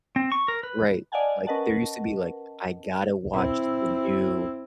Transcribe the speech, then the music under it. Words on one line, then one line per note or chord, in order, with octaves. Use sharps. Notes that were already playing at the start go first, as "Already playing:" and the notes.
Right, like, there used to be, like, I gotta watch the new,
C4
C#6
A#4
B4
D5 D#5 F5 F#5 G#5 A5
C#4 A#4 B4 D#5 F#5 A5
C4 E4